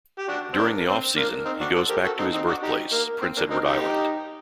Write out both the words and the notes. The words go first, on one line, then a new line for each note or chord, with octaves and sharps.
During the off-season, he goes back to his birthplace, Prince Edward Island.
G4
D4 F#4
C4
A#3 D4
C4
A#3 D4
C4 D#4
D4 F#4
A4 C5
G4 A#4
F#4 A4
C4 D#4
C4 D#4
D4 F#4
D#4 G4
A#3
C4
A#3 D4
C4 D#4
D#4 G4